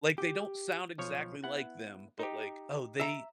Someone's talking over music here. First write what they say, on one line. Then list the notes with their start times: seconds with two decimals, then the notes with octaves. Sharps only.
Like they don't sound exactly like them, but like, "Oh, they
0.18 G4
0.98 B1 F3 C#5
1.44 B3 E4 F#5
2.19 D#4 G4
3.00 E5 A#5